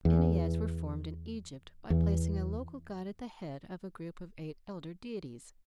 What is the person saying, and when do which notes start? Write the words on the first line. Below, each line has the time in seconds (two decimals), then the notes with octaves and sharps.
Enneads were formed in Egypt by placing a local god at the head of a group of eight elder deities.
0.05 E2
1.90 E2